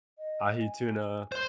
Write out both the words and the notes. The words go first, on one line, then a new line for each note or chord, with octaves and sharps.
ahi tuna,
D#5
G#5
C5 C6